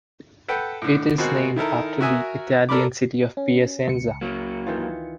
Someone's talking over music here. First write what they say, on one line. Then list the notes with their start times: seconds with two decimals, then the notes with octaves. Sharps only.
It is named after the Italian city of Piacenza.
0.48 A4 B4 F#5 G5
0.82 A2 D3
1.18 B2 G#3 A#3 C4 F#4
1.56 D#3 E4 A4 A#4
2.01 F#4 A#4 E5 G#5 D#6
2.69 A4 A#4 D5 B5 D6
3.37 C#4
3.88 C#2 C#7
4.21 F#3 A#3
4.66 D#3 E3 F4